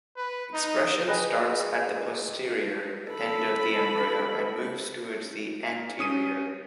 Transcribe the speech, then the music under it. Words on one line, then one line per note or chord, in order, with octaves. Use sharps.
Expression starts at the posterior end of the embryo and moves towards the anterior.
B4
D#4
G#4 B4 D#5 G5
A4 B5
C#4 D#6 D#7